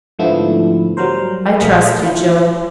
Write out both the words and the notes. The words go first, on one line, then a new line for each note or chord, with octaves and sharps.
'I trust you, Jo.
G#2 D3 F3 A3 B3 E4
F#3 G3 A#4 C5
A#1 A3 A#3 G#4 F6 B6
E4 F4